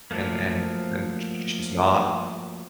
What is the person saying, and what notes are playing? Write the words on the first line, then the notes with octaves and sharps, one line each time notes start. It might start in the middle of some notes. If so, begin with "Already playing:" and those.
and and and sh sh she's not.
F3 F#3 A3 A#3